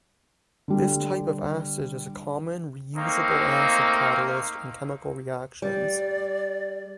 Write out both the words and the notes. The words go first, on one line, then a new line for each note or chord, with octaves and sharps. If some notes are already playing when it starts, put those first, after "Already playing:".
This type of acid is a common re-usable acid catalyst in chemical reactions.
D3 G3
A3 A#3 C4 D#4
G3 D5